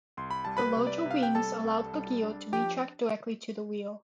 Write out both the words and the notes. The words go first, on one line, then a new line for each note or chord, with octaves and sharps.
The larger wings allowed the gear to retract directly to the rear.
C2 C6
B5
G3 A5
B4 B5
C3
D5
E5
C3
F5
G5
G3 A4 A5
C2
G3
D4
F3 G4 G5